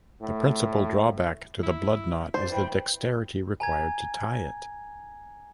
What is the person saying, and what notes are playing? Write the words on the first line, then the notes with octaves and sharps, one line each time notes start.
The principal drawback to the blood knot is the dexterity required to tie it.
A2
E4
C5 D5
E3 G5 B5
G#5 A#5 G#6